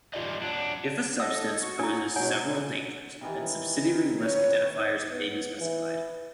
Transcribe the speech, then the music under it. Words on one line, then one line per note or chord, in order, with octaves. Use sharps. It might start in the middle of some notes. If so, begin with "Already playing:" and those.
If a substance poses several dangers, then subsidiary risk identifiers may be specified.
F4 G4 D5 D#5
F#3 D4
A4 D#5 F#5 D#6 E6
F#4 C#6
D4 E4
G#2 B2 F#3 C#5 F#5 G#5
C3 D#3 E3
C#5
B3
E3